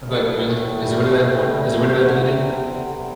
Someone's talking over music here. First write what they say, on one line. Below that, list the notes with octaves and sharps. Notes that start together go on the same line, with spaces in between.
I was like, really? Is it really that important? Is it really that big a deal?
G3 A3
A2
A2
E3
G3
A2
A2
E3
G3
E2
E2
D3
C3 G3 C4
E2
E2
D3
G3